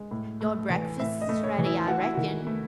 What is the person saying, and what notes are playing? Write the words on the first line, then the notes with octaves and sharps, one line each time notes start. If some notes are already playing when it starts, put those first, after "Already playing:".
Your breakfast's ready, I reckon.
Already playing: G#3
A2
A3
E3
A2 E5
D#5
A3
C#5
E3
E4
A3 F#4
E4
D#3 F#4
A3